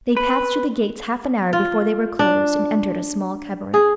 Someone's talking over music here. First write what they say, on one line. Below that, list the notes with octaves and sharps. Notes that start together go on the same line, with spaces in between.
They passed through the gates, half an hour before they were closed, and entered a small cabaret.
B4
F4
D4
G#4